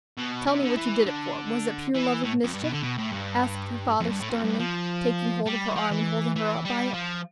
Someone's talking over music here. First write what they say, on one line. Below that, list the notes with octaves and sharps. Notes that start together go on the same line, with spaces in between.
"Tell me what you did it for; was it pure love of mischief?" asked her father, sternly, taking hold of her arm and holding her up by it.
B2
C3
D3
E3
D3
E3
A2
F2
G2
B2
D3
B2
A2
G2
F2
G2
A2
F2
G2
F3
G3
F3
E3
E3
G3
F3